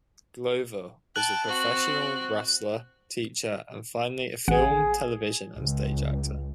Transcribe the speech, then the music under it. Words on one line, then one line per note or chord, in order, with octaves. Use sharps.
Glover was a professional wrestler, teacher, and finally a film, television and stage actor.
G5 A5 F#6 F#7
C4 F#4
A1 G#4 F#5
C#2